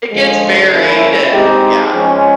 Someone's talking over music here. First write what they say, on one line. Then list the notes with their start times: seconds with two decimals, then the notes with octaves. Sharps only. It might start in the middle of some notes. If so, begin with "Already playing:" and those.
It gets buried and yeah.
0.10 D3 F3 G#3
0.71 F3 A#3 C#4 E4
1.32 G#3 C4 D#4 G4
1.93 F3 G#3 C#4